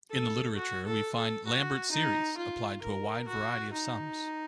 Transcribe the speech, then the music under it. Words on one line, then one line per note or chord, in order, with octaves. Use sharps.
In the literature we find "Lambert series" applied to a wide variety of sums.
A4
F#4
A4
A4
F#4
D#4
F4
A#4
F#4
D#4